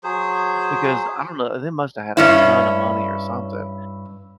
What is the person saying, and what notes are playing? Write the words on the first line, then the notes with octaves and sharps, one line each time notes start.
because, I don't know, they must have had a ton of money or something
F#3 G#4 C5
G2 C#4 E4